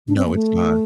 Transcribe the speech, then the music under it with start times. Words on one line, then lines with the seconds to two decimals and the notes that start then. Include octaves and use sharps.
No, it's not.
0.08 D4
0.17 C4
0.26 A#3
0.34 A3